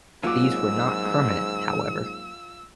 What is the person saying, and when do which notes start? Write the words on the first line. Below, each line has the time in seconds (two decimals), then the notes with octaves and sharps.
These were not permanent, however.
0.23 G#2 F#3 A#3 C#4 F4 D6 E6